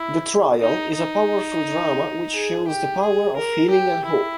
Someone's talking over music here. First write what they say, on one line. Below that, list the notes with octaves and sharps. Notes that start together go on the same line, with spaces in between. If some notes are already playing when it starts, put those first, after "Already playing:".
'The Trial' is a powerful drama which shows the power of healing and hope.
Already playing: E4
D#4
D#4
G#4
G4
G#4
A#4
G4
E4